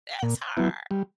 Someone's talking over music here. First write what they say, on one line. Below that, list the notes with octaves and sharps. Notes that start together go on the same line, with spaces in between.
That's hard.
A#2
F#3 B3 E4
G3